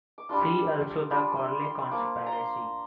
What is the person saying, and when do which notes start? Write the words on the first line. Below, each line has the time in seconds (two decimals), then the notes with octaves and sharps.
See also "The Corley Conspiracy".
0.18 D6
0.29 G3 D4 F4 C6
1.10 G3 D4 F4
1.37 C6
1.64 C6
1.91 F3 A#3 F4 D6
2.26 A#5
2.32 C6